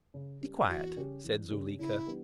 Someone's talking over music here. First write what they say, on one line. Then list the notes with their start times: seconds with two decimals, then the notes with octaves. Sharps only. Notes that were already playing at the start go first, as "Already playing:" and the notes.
"Be quiet," said Zuleika.
0.14 C#3
0.41 G3 C#4
0.69 E2 F#4
0.96 C#3 G3 C#4 G4
1.24 E2
1.51 C#3 G3 C#4 G4
1.79 C#3 E4
2.06 E3 G3 B3 D4